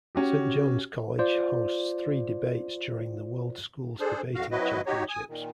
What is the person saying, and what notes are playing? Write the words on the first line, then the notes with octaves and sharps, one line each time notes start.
Saint John's College hosts three debates during the World Schools Debating Championships.
C#4 F#4 G4
F4 C5 D5
D4 G#4 A4 C5
F2 F#4 F5
F#3 C4 E4 F#4 B4 D#5
D#4 F#4 G4 C#5
G#5 D#6
A#2 D#3